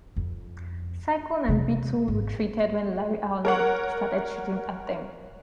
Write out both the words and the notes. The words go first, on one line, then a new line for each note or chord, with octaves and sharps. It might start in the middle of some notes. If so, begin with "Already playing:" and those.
Cyclone and Beetle retreated when Larry Arnold started shooting at them.
F2
E2 C3
G#1
A#4 C#5 F#5